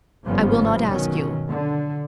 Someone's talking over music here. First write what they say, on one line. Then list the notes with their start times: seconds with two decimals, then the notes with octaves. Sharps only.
"I will not ask you."
0.25 G1 G#2 C#3 F3 G3 B3
0.89 B2 D#3 F#3 C#4
1.49 D3